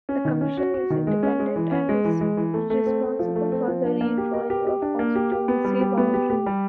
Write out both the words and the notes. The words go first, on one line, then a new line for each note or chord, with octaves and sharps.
The commission is independent and is responsible for the redrawing of constituency boundaries.
C#4
D#3
C#4
F#4
F#4
D#3
G#3
C#4
G#3
E3
C#4
G#3
E3
G#3
E3
A3
A3
C4
A3
F3
A3
C4
F3
D4
A#3
G4
A#4
G4
G4
D4
A#3
G4
G4
B3
G3
G4
B3
G4
G4
G3